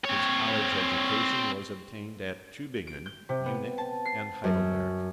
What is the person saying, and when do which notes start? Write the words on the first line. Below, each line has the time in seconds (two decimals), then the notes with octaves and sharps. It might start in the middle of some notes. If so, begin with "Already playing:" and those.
His college education was obtained at Tuebingen, Munich, and Heidelberg.
0.04 C4 C#5
2.87 D7
3.06 G6
3.29 C3
3.46 B3
3.78 A5
4.05 C7
4.44 F#2